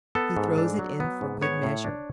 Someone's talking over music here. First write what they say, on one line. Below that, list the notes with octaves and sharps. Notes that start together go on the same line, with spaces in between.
He throws it in for good measure.
B3 A4
G#2
D4
F#3
B3
G#2
B3 C#5
A2
D4